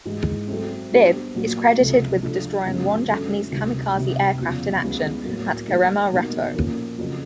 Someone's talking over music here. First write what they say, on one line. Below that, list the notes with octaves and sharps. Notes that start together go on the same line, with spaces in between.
"Bibb" is credited with destroying one Japanese kamikaze aircraft in action at Karema Retto.
G#2 E3 G#3
F#3 A3 C4
G3 B3 D4 G4 C5
A#2 F#3 A#3
C#2 C3 F3 A3
F3 A3 D4
F#2 C#3 F3 G#3 B3
D3 F#3 A3 C#4 E4
D2 C3 D#3 G3
C3 D#3 G3
E2 C#3 F3
C#2 C#3 E3 G3 B3
A2 F#3 A#3
D#3 G3 A#3
B2 G3 A#3 D#4
A#2 F3 A#3 C#4
F2 C#3 F#3